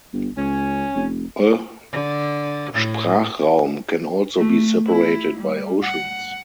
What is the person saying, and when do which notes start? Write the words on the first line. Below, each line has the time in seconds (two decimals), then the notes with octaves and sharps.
A sprachraum can also be separated by oceans.
0.13 G1
0.37 C#2 C#4
0.95 F1
1.92 D3
2.73 A2
4.37 A3
4.87 E4
5.37 G3
5.83 F#5